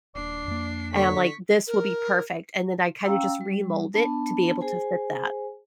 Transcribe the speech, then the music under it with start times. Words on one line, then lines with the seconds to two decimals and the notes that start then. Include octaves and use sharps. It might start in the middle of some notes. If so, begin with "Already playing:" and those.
And I'm like, "This will be perfect," and then I kinda just remold it to be able to fit that.
0.15 D#1 D#2 D4 D5 C7
0.48 F2 A#3
0.93 D3 C#5 C#6 B6
1.67 A#4
3.05 C#4 F5 G5 A#5 E6
3.41 G3
3.94 B3 D4 A5
4.61 G#4 C5 G#5